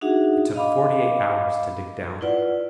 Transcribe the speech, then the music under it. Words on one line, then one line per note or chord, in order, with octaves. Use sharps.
It took forty-eight hours to dig down.
D4 D#4 F#4 G#4 E5 F#5
D#5 F5 B5 D6
E4 F4 B4 D5 F#5